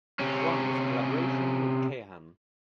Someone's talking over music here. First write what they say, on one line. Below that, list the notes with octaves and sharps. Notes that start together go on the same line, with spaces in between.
One was a collaboration with Kayahan.
C3 C#4